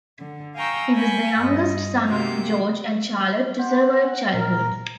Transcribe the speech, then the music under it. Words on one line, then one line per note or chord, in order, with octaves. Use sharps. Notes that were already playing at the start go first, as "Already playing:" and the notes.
He was the youngest son of George and Charlotte to survive childhood.
D3
F5 G5 G#5 A#5 C#6 E6
G5 G#5 B5 C#6
G2 D#5
C3 D#3 A#3 F#4 G4 G6
G4 C5 F#5
A#2 A#4